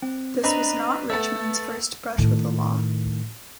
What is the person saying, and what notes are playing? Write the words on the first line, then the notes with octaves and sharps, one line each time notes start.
This was not Richmond's first brush with the law.
C4
C4 D4 B4 D#5 A#5 B5
A3 B3 A4 E6
A2 D#3